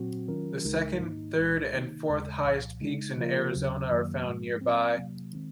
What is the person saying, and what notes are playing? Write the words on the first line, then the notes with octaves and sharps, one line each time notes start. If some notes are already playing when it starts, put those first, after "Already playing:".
The second, third, and fourth highest peaks in Arizona are found nearby.
Already playing: A#2 F#3 C4 F#4
D#3 F#3 C#4 F4 A#4
C#2 C#3 G#3 D#4 A#4
G#2 D#3 A#3 D#4
C2 A#2 G#3
C3 D#3 A#3 D#4
D#2 C#3 G#3
C2 A#2 F3
C#3 G#3 D#4
C#3 F3 A#3 F4 A#4
D#2 C#3 F#3
F#2 D#3 F#3 A#3
G#2 F3 G#3
A#2 F#3 C4
C3 F#3 A#3
D#3 G#3 C4